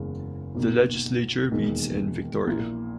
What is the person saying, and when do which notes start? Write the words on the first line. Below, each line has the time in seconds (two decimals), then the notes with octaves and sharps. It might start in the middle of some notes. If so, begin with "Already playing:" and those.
The Legislature meets in Victoria.
Already playing: F#1 E2 C#3 G#3 C#4
0.55 B1 B2 A#3
1.51 E1 D#2 D#3 G#3
2.47 A#1 A#2 A#3 E4